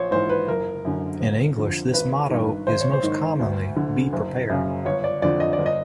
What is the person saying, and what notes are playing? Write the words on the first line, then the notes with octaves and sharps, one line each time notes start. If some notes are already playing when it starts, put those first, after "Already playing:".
In English, this motto is most commonly Be Prepared.
Already playing: A#1 C5 C#5
G#2 E3 C5
B4
F#1 A#4
F#2 D3
G1
F2 D3
G#1 B4
G2 D#3
G#1 C5
C#5
C5
G#2 D#3
D2
D3
F#1
F#2 C#3
G1 C#5
D5
F2 D3 D5
D#5
D5
G1
D#5